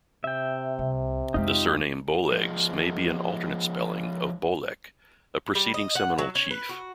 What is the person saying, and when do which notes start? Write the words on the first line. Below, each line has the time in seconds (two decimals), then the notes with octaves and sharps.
The surname "Bowlegs" may be an alternate spelling of "Bolek", a preceding Seminole chief.
0.24 C3 E5 G5
0.79 C2
1.34 F2 G#3 D#4 F4 G4
2.32 F3 G#3
5.55 G3
5.74 D#5
5.95 F#5
6.18 F#3
6.35 C#4
6.51 B4
6.69 F#4